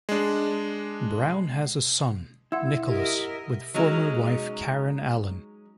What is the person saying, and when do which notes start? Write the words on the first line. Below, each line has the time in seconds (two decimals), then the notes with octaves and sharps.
Browne has a son, Nicholas, with former wife Karen Allen.
0.09 G#3 D4
2.52 E4 F#5 C6 E6
2.88 G4 A#4 D#5 E5
3.74 F#3 G#3 C#4 D#4